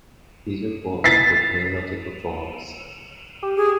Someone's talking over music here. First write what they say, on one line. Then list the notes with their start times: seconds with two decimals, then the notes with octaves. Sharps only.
These reports are called periodic reports.
1.04 A6 B6 C7
3.43 G4
3.57 G4 G#4